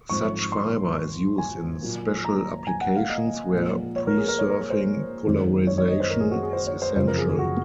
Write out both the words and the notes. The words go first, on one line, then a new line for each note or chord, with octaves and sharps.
Such fiber is used in special applications where preserving polarization is essential.
G#2 F3 C4 C#6
C6
G#5
A#2 F#3 A#3
A#5
G#5
F#5
F5
D#5
A#2 F3 G#3
C#5
A#4
G#4
A#4
C#5
A#4
A#4
C5
F#2 D#3 G#3 C4
C#5
C#5
D#5
C5
A#4
G#4
F#4
G#4
C5
C#5
C5
F#2 C#3 F3 C4 C5
A#4
G#4
G#4
F#4